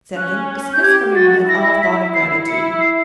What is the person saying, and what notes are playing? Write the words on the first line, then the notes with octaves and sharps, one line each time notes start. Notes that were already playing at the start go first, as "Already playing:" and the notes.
Second, Dismiss from your minds all thought of gratitude.
C#4 F#6
G6
G4 G#6
F#4 A6
E4 A#6
B6
E4 C7
E4 C#7
C7